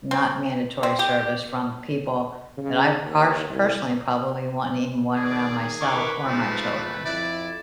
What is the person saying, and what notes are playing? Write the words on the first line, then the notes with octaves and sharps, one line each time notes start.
not mandatory service from people that I parsh personally probably wouldn't even want around myself or my children.
C4
C4
G4
C#3
D#2
C2
D#3 G#4 D5
A#4 B4 C#6 D6
G#2 F3 A3
F2 E4 D5